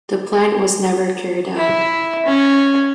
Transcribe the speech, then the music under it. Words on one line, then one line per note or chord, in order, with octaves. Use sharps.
The plan was never carried out.
E4
C#4